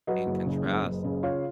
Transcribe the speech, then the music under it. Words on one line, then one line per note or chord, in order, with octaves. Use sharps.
and contrast,
F#3 B4 D#5
F#1
C#3
F#1
F#1
C#3
F4 C#5 F5